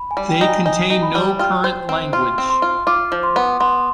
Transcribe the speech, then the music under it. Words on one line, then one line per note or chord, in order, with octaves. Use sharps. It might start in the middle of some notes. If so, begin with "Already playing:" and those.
They contain no current language.
Already playing: B5
G#5
G3
G5
D#4
G#5
D#4 G#5
D#4
B5
G3
F4 G5
C5
C4
F4 C6
C4
C6
F4
F4 D6
F3
C6
B3
B3 C6